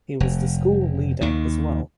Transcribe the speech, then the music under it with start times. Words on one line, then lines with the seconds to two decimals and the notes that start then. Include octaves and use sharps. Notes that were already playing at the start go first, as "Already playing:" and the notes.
He was the school leader as well.
0.20 F1
1.21 D#2 D#3